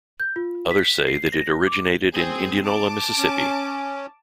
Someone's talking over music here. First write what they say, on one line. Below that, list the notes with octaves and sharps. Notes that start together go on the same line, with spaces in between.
Others say that it originated in Indianola, Mississippi.
G6
F4
B6
C7
A#6
D6
C4 G#4
A5 D6
C#4